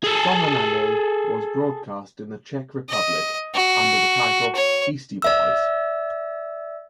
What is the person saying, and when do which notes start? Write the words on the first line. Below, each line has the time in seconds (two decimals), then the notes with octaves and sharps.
"Sonnenallee" was broadcast in the Czech Republic under the title "Eastie Boys".
0.04 G#4 A4
2.89 D#5
3.54 F#4
4.55 C#5
5.22 D5 E5 E6